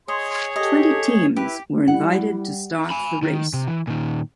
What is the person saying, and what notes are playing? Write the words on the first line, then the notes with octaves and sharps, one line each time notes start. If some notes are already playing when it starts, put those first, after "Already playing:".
Twenty teams were invited to start the race.
G#4 C#5 D#5 C6
G4 A4 D#5
E4 G4 B4
G3 E4 F#5
G#5 B5
D#3
C3
E3
A#2 D#3